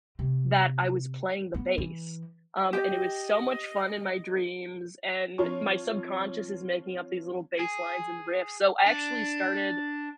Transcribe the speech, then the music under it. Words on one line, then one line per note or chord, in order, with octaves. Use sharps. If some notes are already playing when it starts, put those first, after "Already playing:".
that I was playing the bass. Um, and it was so much fun in my dreams and my subconscious is making up these little baselines and riffs. So, I actually started
C3
B3
E3
G4 D#5 G5
F3 C4 F4 C#5 C#6
G#4
D4